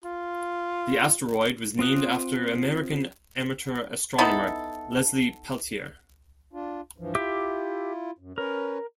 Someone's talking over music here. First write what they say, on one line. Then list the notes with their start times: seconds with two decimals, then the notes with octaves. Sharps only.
The asteroid was named after American amateur astronomer Leslie Peltier.
0.04 F4
1.79 C4 F4 D#6 F#6
4.18 B3 D#4 E4 A4
6.53 D4 F4
6.98 G2 E3 F3
7.15 E4 F4 G4 E5 D6
8.18 F#2
8.38 C#4 A#4 B4 C#5